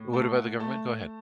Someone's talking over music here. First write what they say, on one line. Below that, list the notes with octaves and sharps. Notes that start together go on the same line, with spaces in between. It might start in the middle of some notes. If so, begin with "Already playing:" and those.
What about the government? Go ahead.
Already playing: A2
A3 A5
F#5
A3 A5